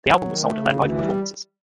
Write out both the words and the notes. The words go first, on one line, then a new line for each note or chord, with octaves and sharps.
The album was sold at their live performances.
F#3
D#3
A3
C#3
D2
E3
G3